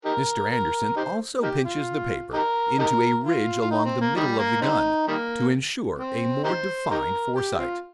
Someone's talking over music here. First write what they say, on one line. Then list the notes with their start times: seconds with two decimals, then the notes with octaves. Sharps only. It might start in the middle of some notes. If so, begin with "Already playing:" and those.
Mr. Andersson also pinches the paper into a ridge along the middle of the gun, to ensure a more defined foresight.
0.05 D#4 G4 A#4
0.50 A#4
0.96 D#4 G4 C5
1.42 A#3 D#4 G4
1.65 F4
2.33 D#4 G4 A#4
2.79 D#4 G4 A#4
3.24 F4
3.61 F4
3.71 D#4
3.85 C4
4.01 A#3
4.16 D#3 G3
4.39 A#3
4.62 G3 C4 D#4
5.08 D#3 G3 A#3
5.99 C4
6.44 D#4 G4 C5
6.90 D#4 G4 A#4
7.36 G4
7.58 C4 F4